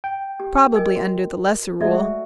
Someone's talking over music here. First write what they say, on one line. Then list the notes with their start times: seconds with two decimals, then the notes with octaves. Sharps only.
"Probably under the Lesser Rule."
0.04 G5
0.40 G4
0.74 A#4 D#5 G#5
0.96 F#4
1.81 G#3 A3 F#4 D5 E5